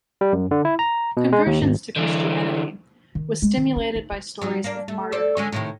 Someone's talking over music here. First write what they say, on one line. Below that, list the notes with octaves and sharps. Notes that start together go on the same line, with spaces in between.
Conversions to Christianity, was stimulated by stories of martyrhood.
G3
F#2
D3
E4
A#5
B2
G#3
D#2
G#1
D3 E3
D#3
G#3
D#3
C#4
D#4
F4
F#3 G3 D#4
A#3 D4
A3
A4 C5 D5
D3 G#3 C#4
A2 C3 D#3